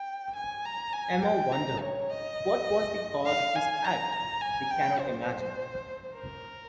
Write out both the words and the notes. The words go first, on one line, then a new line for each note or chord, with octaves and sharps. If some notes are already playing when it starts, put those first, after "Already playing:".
Emma wondered, what was the cause of this act, we cannot imagine.
Already playing: G5
G#5
A#5
G#5
G5
A#5
C#5
D#5
F5
G#5
A#5
G#5
G5
C5
A#4